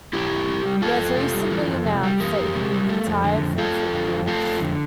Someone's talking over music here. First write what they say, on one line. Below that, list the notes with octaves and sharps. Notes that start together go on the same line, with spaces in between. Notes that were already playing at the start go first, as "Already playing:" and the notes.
He has recently announced that he retired from football.
E3 E4 G4
F2
C3
G3
E3 F4 A4
F2
C3
G3
E3
F2
C3
G3
E3 G4 A#4
F2
C3
G3
A3
F2
D3
F2
A3 F4 A4
F2
D3
F2
A3 F4 A4
F2
D3